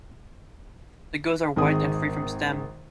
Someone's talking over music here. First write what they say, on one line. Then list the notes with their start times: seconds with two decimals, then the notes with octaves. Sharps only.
The gills are white and free from the stem.
1.56 G#1 D#3 G#4 D#6